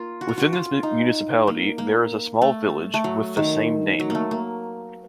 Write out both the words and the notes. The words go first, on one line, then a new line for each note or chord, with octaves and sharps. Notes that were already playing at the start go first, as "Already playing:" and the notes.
Within this municipality there is a small village, with the same name.
Already playing: A#3 F4
F#4
F4
F#4
F4
D#4
A#3
A#3
A3
A3
F#3
D#3
F#3
A3 A#3
A#3